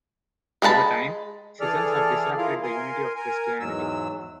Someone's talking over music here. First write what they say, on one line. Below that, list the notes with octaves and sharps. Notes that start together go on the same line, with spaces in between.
Over time, schisms have disrupted the unity of Christianity.
G#3 G#4 B4 A5 B5
E3 G#4 A4 D5 F6
E4 F4 G#4 A#4 F5
A#4 G#5 C6
A#4 G#5
E2 G#2 F#3 E6